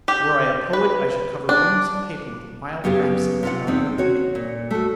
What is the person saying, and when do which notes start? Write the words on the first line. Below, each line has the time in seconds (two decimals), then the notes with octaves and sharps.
Were I a poet, I should cover reams of paper with wild rhapsodies about her beauty.
0.08 G4
0.73 B4
1.49 D4
2.84 F#2 C#3 B3 G4
3.43 C3 F4 F#5
3.67 E2 C4 D#4
3.98 F#4 C#5
4.35 A#2
4.71 A3 F#4